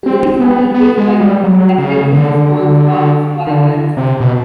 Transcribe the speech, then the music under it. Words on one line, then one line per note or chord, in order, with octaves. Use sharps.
The lyrics are replaced by references to "SpongeBob SquarePants".
C4
B3
B3
G#3
G3
F#3
C#3
D3
D#3
D3
C3
B2